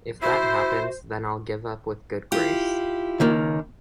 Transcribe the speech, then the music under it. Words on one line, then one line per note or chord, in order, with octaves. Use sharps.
If that happens then I'll give up with good grace.
E4 F#4 C5 E5
E4 F4 G4
C#2 D#3 A#3